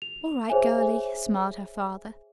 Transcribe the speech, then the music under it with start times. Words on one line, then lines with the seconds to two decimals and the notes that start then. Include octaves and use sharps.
"All right, girlie," smiled her father.
0.02 F7
0.50 G#4 C5 C#5 E5 G#5